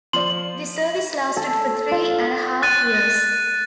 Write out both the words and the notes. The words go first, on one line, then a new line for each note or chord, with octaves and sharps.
This service lasted for three and a half years.
F3 D5 C6 F#7
A4
F4
F#6 A6 D#7